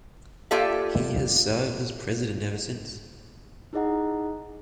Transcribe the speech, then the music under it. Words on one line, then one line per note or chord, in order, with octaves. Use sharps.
He has served as president ever since.
A#3 F4 G4 A4 D5 E5
D#4 E4 G#4 D#5 F#5 A#5